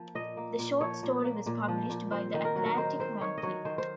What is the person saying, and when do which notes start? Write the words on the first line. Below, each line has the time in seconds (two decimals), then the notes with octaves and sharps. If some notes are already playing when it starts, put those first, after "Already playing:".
The short story was published by "The Atlantic Monthly".
Already playing: F3 A#3
0.15 A#2 D#5
0.37 A#3
0.59 A#2
0.81 F3 C#5
1.03 A#2
1.24 A#3
1.46 A#2
1.68 F3
1.90 A#2
2.12 C4 C5
2.34 D#3
2.45 A#4
2.56 F#3
2.66 A#4
2.78 D#3 C5
3.00 C4 C5
3.21 D#3 C#5
3.38 D#5
3.43 F#3 C#5
3.65 D#3 C5
3.78 C5